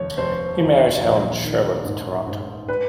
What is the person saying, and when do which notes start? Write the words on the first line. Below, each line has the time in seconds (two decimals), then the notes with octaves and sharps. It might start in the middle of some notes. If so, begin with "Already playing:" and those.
He married Helen Sherwood of Toronto.
Already playing: F1 D#2 C#5
0.17 F1 C5
0.59 D#2
1.01 A#1
1.43 D#3
1.85 G#2
2.27 G#2
2.69 B4